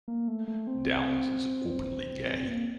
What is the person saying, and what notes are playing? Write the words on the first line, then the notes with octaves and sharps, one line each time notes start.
Downs is openly gay.
A#3
A3
A3
C4
A#3